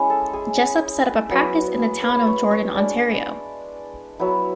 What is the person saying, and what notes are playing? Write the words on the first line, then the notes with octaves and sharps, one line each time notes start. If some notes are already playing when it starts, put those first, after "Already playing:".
Jessop set up a practice in the town of Jordan, Ontario.
Already playing: G#3 C#4 E4
A4
G#4
F#3 B3 E4
B4
C#5
C#5
G#3 D4 D5
F#3 B3 E4